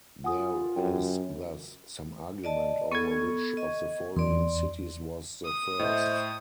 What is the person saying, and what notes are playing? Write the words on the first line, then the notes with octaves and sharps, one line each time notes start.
There is thus some argument over which of the following cities was the first.
F4 F#5 G#5 D#6
F#2 G5
D5 D#5 A5
B3 A4 C#6 G#6
D#5
E2 D5 C6
D#6
A2 C5 D#5 E5